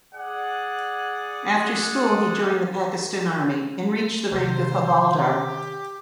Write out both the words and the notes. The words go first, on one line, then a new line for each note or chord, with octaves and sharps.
After school he joined the Pakistan Army, and reached the rank of Havaldar.
G#4 D5 F#5
C3 D#3 C5
G4